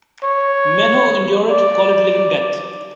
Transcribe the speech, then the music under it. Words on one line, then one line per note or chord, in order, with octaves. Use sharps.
Men who endure it, call it living death.
C#5
D5